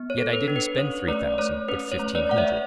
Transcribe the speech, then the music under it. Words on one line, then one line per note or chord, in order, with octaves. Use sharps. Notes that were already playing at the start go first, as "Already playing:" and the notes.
Yet I didn't spend three thousand, but fifteen hundred.
Already playing: B3
C#5
A4
B4
D4
B4
C#4 C#5
A3 B4 D5
A3 C#5
C#4 B4
C#5
A3
B4 D5
A3 F#5
C#5 E5